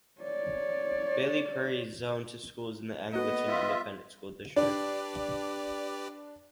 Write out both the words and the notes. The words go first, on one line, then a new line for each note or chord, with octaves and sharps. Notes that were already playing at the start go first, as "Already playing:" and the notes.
Bailey's Prairie is zoned to schools in the Angleton Independent School District.
C#5 D5
A#3 B3 F#4 A4 D#5
F4 E5 B6
D4 G4 B4 D5